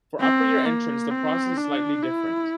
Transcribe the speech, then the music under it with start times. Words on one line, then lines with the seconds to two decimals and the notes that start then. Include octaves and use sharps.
For upper year entrance the process is slightly different.
0.20 C4
0.65 A#3
1.11 C4
1.57 D4
2.03 E4